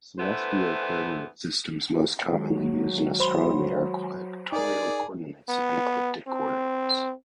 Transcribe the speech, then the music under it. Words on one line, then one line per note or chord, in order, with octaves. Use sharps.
Celestial coordinate systems most commonly used in astronomy are equatorial coordinates and ecliptic coordinates.
G2 E3 A3 B3 C5
D#3 F#3 G#3
C5 B5 C6
D#4 G#4 A#4 D5
B3
C4